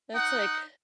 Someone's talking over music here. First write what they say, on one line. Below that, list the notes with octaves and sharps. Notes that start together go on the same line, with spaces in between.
that's like
D#4 F#5